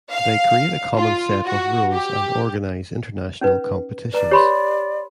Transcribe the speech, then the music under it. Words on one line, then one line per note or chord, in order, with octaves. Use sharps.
They create a common set of rules and organise international competitions.
F5
F4
F#4
G4
C#4 D#4 B4
B4 D5 A#5
G4 C#5 B5 C6